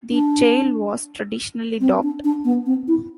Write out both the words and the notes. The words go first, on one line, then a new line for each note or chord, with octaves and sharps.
The tail was traditionally docked.
D4
C4
D4
D4
B3
C4
E4